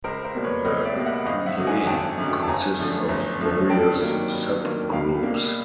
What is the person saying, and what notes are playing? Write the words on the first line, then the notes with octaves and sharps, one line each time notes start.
The Bouyei consist of various subgroups.
C#2 A#4 C5
A#4 C5
B2 G3 A#3
B4 C#5
C#2 C#5 D#5
D5 E5
B2 G3 A#3
E5 F#5
G#1 D#5 F5
E5 F#5
F#2 D3 F#3
F#5 G#5
G#1 G5 A5
F#2 D3 F#3
A5
G1 G#5 A#5
F#2 D3 F3 A3
G1
F#2 D3 F3 A3
G2 G5 A5
D#3 F#3 A#3
G2
D#3 F#3 A#3
C#2 F5 G5
B2 G3 A#3